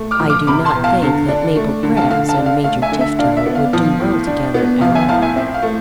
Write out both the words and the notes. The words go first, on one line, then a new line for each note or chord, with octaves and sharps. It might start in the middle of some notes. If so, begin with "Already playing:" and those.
"I do not think that Mabel Grex and Major Tifto would do well together at all."
Already playing: A3
D6 F6
F3
D6 F6
C3 B5 D6
A5 C6
E2
F5 A5
D3
D4
A3
D3
F5 A5
D3 F5
F5 A5
D4
F5
A3 F5
E5 G#5
D3
E5
D4 F5
E5
B3
F5
F3
A2
D4
B3
F3 F5
E5 G#5
A2 F5 A5
E5 G#5
C4 E5
F5
A3